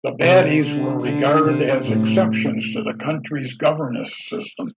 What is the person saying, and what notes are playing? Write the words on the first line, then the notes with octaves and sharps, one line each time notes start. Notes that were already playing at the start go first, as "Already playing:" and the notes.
The bateys were regarded as exceptions to the country's governance system.
C3
D3
D3
C3
A2